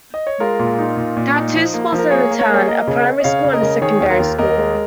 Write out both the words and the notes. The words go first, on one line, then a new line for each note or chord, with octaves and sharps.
There are two schools in the town, a primary school and a secondary school.
D#5
C#5
G#3 F4 A#4
A#2
D#4
A#2
A#2
D#4
F3
A#3
F3
A#4
A#3 G#4 C#5
A#3
C#5
A#4
A#3 G#4 C#5
A#3 A#4 D#5
C#3
C#4
D#5
C#3 C#5 F5
C#3
A#4 D#5
C#3
D#3 G#4 C#5
D#2
F4 A#4
D#2
D#2 A#4 D#5
G#3